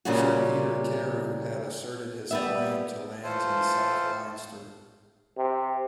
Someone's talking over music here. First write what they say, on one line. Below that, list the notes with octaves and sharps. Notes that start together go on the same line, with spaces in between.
Sir Peter Carew had asserted his claim to lands in south Leinster.
A#2 C#3 G3 C#4 F4 F#4
G3 B3 E5
E3 A3 F4 A4 C5
C3